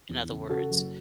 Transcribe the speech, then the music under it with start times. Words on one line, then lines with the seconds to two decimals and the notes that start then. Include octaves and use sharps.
in other words.
0.09 E2
0.30 C#3
0.49 C#3 F#4 A4
0.70 F#1